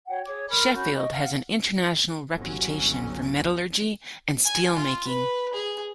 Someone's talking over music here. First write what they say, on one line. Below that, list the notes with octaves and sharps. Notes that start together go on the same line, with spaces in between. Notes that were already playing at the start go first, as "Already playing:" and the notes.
Sheffield has an international reputation for metallurgy and steel-making.
F#4 C#5 F#5 G5
G#4 C#5 D6
A#4 B5 C6 F6
C#4 F#4 B5 G6
D#5 C#6
F5 F#5
G1 C2 F#3 C#4
G#5
F4
B4
G#4